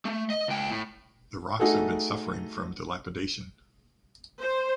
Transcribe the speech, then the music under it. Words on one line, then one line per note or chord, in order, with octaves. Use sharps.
The rocks have been suffering from dilapidation.
A3
D#5
C#2 G5
A2
A3 D#4 F#4 G#4 A4
C5